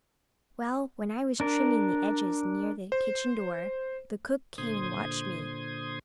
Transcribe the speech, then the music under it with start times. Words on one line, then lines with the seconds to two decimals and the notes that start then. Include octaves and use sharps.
Well, when I was trimming the edges near the kitchen door, the cook came and watched me.
1.40 D4 A#4
2.92 C5
4.58 A#2 D3 C5 C6 D#6 G#6